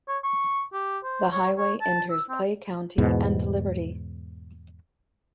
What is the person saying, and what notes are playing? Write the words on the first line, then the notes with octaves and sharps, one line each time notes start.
The highway enters Clay County and Liberty.
C#5
C#6
G4
C5
C#5
C#5
A5
E6
C4
E2 G#2 B2